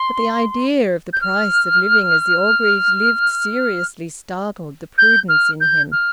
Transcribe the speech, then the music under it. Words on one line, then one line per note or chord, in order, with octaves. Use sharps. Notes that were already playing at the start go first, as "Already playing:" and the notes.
But the idea of the price of living as the Orgreaves lived seriously startled the prudence in him.
Already playing: C6
G6
F6
G6
F6
G6
F6